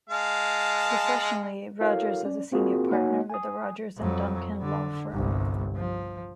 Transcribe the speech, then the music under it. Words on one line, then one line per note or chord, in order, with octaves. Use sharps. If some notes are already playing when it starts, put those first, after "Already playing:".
Professionally, Rogers is a senior partner with the Rogers and Duncan Law Firm.
G#3 F5 A5
E4 F#4 A4 A#4 C#5 F5
C#4 D5
A#3 C4 F4 F#4 G#4 A#4
A#3 D#4 F#4 C#5 F#5 G#5
G#5 D#6
F2 F#3
D3
G1 C2
F3